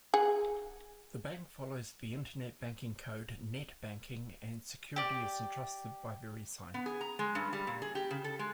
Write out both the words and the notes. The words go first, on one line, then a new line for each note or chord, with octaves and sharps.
The bank follows the internet banking code NetBanking and security is entrusted by Verisign.
G#4 F#5
G4 D5
B3
G#4
A#5
G#3
G2
G3
A#2
G#4
G4
C#3
A4
G#3